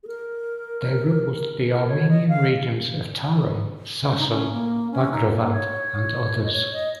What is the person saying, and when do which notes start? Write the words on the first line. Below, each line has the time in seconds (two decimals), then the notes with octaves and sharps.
They ruled the Armenian regions of Taron, Sasun, Bagrevand and others.
0.03 G#4
0.07 A#4
1.68 A#4
1.88 C#5
2.09 D#5
2.29 F5
4.10 C#4
4.19 D#4
4.28 C#4
4.52 A#3
4.91 C#4
5.12 D#4
5.31 A#3
5.52 C#5
6.44 D#5
6.52 C#5
6.73 D#5